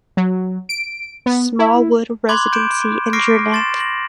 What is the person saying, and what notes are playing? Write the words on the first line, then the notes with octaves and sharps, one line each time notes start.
Small wood Residency in Drennec.
F#3
D7
B3
E4
B5 C6 D6 F#6 G#6
G6 D7 E7
C#6 D6 F6 A#6 C7 D7
C6 A6 E7
A#6 F#7